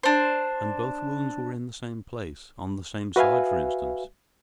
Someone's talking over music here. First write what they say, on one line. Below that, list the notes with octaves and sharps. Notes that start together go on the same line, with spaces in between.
"And both wounds were in the same place--on the same side, for instance?"
D4 C5
F#4 B4 E5 F5 G#5